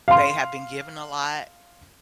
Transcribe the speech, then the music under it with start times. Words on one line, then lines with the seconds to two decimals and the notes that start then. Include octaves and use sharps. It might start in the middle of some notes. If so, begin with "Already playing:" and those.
they have been given a lot
0.08 F5 C6